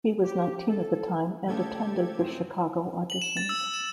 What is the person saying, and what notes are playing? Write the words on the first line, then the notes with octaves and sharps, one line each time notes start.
He was nineteen at the time and attended the Chicago auditions.
G4
A4
C#3 A3 D4 G4 A4 C5 G#6
F#2 C4 G#4
F#7
E7
A6
E6
E7